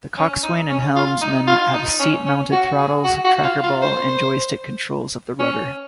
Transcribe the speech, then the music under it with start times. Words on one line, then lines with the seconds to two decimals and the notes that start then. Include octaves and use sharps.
The coxswain and helmsman have seat-mounted throttles, trackerball and joystick controls of the rudder.
0.17 C#4
0.43 D#4
0.69 C#4
0.96 F4
1.21 D#4
1.47 F4
1.74 D#4
1.99 C#4
2.26 C#4
2.52 F#4
2.78 G#4
3.04 F#4
3.24 F#4
3.43 F4
3.63 F4
3.82 C5
5.39 C#4